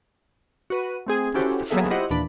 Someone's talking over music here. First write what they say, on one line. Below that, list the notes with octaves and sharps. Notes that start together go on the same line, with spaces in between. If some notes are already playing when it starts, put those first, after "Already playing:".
That's the fact.
F#4 B4 D#7
A3 C4 G#4 G#5
C#4 E4 F#4 G4 A4 C5
F#3 A#3 B3 G#4 A4 E5
E4 F4 G4 C5 D#5 F#5
D#2 A#2 E3 D4 D5 B5